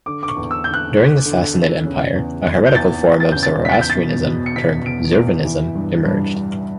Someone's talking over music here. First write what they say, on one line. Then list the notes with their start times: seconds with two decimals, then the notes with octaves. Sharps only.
During the Sassanid Empire, a heretical form of Zoroastrianism, termed Zurvanism, emerged.
0.06 D3 D6
0.23 D6
0.29 C#6
0.36 E2
0.51 E6
0.64 D3 G6
0.74 F#6
0.97 D3
1.26 D3
1.56 E2
1.86 C#3
2.16 E2
2.45 E3
2.66 G6
2.75 E2 A6
3.06 E2
3.20 A6
3.32 C#3 G6
3.43 A6
3.65 E2 B6
3.73 A6
3.81 G6
3.90 A6
3.95 B2
4.26 B2
4.46 C#7
4.56 B2 B6
4.86 E2 D7
5.16 E2
5.45 E3
5.75 G2
6.05 G2
6.35 G2